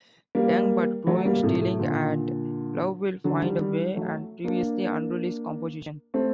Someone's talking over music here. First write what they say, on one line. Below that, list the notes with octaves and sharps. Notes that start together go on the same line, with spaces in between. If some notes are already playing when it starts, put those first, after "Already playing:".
"Young But Growing", "Stealing" and "Love Will Find a Way" are previously unreleased compositions.
G3 A#3
F#3 A3
G3 A#3
A2 C3
A2
A#2 D3
D3 F#3
D#3 G3
D#3 G3
F#3 A3
A#3 D4
A3 C4